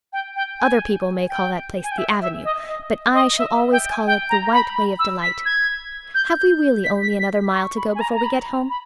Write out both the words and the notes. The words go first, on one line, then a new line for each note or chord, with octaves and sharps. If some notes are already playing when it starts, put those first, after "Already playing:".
Other people may call that place the Avenue, but I shall always call it the White Way of Delight. Have we really only another mile to go before we get home?
G5
G5
G#5
G5
G#5
G5
E5
E5
D#5
D#5
D#5
E5
E5
G5
G#5
G5
A#5
B5
B5
E6
B6
G#6
G6
G6
B6
B6
B6
C#6
B5
G#5
A#5
A#5
B5
B5